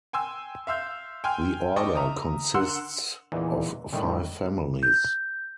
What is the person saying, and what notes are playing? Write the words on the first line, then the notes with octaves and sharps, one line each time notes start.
The order consists of five families.
G5 G#5 C6 E6
E5 F5 C6 E6 G6
G5 G#5 C6 F6
D5 D#5 G5 A5 C#6 D6
E5 A#5 D#6
D3 A#4 F#5 C6 E6
E2 A#2 E3 D#4
A2 D3 D#3 G3
G6